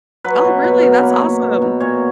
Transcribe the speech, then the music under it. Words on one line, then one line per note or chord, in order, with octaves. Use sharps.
Oh, really? That's awesome.
F#3 B4
B2
B2 B4
F#3 A#4
B4
A#3 C#5
B2
B2
B2
A#2 C#5